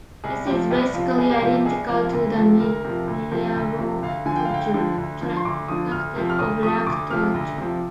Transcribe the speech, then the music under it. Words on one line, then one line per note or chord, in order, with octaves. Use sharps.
This is basically identical to the medieval torture tactic of "rack torture".
C2 G#4
C3 F3 G4
C2 G4
C3 F3 F4
C2 G#4
G4
C3 F3 F4
G4
C2 G#4
C3 F3 A#4
D2
C3 F3
D2 A#4
C3 F3
D2
C3 F3
D2
C3 F3
D2 F5
D3 F3 G#5
G5
F5
D2 G5
D3 F3
D2
D3 F3
C6
D2 D6
D3 F3 D#6
D2 F6
C3 F3
F6
D2 D#6
C3 F3 D#6
D2 D6
C3 F3 F6
D2
C3 F3